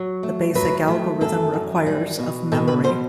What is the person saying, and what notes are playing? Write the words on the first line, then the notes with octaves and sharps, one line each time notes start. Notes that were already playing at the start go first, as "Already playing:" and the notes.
The basic algorithm requires of memory.
Already playing: F#3
A3
F#3 B4
A3
F#2 A4
F#2
G3
B2
B2 A4
B4
B2 C5